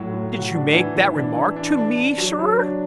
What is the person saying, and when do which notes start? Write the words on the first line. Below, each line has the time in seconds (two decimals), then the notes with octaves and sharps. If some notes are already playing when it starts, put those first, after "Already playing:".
Did you make that remark to me, sir?'
Already playing: A2 F#3 F#4
0.13 A2
0.33 F#4
0.54 D4
0.75 E3
0.95 E3
1.16 D4
1.36 E3
1.56 D4
1.77 D4
1.97 D4
2.18 F#3
2.39 F#3
2.59 D4